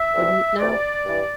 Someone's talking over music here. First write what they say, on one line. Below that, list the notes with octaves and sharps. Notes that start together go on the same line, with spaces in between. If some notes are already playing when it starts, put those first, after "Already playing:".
Wouldn't it now?'
Already playing: E5
D2 C3 E3
D2 C3 E3 D5
G2 E3